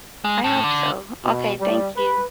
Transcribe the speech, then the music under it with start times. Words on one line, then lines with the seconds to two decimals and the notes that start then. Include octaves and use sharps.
I hope so. Okay, thank you.
0.24 G#3
0.44 A2
0.64 D3
1.23 B2
1.59 G3
1.95 B4